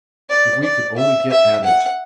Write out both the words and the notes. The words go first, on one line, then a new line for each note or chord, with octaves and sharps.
If we could only get at it!
D5
D5
E5
E5
F#5